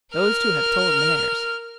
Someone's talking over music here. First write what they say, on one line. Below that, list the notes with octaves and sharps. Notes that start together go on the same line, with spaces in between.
"Those two have told theirs."
A#4 F6